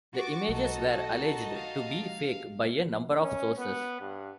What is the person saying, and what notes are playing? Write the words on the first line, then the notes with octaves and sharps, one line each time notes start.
The images were alleged to be fake by a number of sources.
F#4 C#6 D6 A6
B1 D#4 A4 D#5 A5
F5
C#4
B3
G2